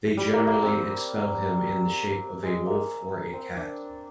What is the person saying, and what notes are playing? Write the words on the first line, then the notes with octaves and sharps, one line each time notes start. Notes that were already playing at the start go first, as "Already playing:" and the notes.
They generally expel him in the shape of a wolf or a cat.
G3
A#3
A#3
C4
G#3
A#3
C4
D4